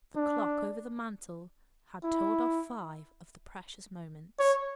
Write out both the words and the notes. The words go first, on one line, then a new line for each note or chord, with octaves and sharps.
The clock over the mantel had told off five of the precious moments.
D4
E4
C#5